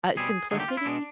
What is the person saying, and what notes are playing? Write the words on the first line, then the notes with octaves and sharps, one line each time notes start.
Uh, simplicity?
B2 G3 C4 G#4
D#2 D3 F#3 A3 G#4
G4
F4
E4
B2 G#3 D4